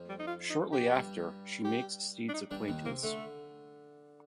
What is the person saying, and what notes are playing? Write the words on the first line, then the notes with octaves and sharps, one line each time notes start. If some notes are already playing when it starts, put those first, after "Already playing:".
Shortly after, she makes Steed's acquaintance.
Already playing: F2 F3
G3
D#4
F4
D#4
G4
G2 G3
G4
D4
D#4
G2 G3 D4
D#2 D#3
C3 A#3
D3 A3